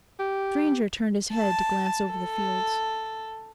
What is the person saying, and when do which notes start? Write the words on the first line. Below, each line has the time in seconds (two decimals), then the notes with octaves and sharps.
The stranger turned his head to glance over the fields.
0.20 G4
1.35 A5
2.10 A4